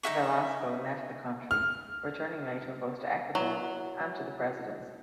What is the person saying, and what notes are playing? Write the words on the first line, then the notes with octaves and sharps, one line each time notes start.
Velasco left the country, returning later both to Ecuador and to the presidency.
D#4 G#4 E5 C#6
F6
F#3 E4 F#5